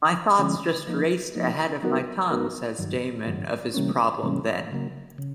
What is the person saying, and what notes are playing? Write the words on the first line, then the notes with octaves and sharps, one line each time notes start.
"My thoughts just raced ahead of my tongue", says Damon of his problem then.
D3 F3 G#3 C#4
F3 A#3 D#4
F3 A#3 D#4
F#3 B3 D#4 F#4 A#4
F#3 B3 D#4 F#4 A#4
G2 D#3 F#3
G2 D#3 F#3
C3 E3 G3 A#3 C#4
C3 E3 G3 A#3 C#4
C#3 F#3 A#3
C#3